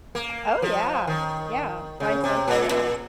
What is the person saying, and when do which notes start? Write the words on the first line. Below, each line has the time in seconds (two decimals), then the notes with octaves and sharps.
Oh, yeah. Yeah, find something else.
0.15 A#3
0.62 F3
1.07 D#3
2.00 C#3
2.24 C3
2.48 A#2
2.71 A#2